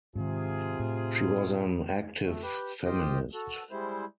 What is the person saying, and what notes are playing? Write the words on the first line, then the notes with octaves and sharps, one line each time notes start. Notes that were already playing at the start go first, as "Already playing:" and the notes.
She was an active feminist.
G#2 C3 D#3 F4 G#4
A2
A3
G4 B4
F4 G4 C5 D#5 G5
F#4 A4
G3 G#3 E4 C5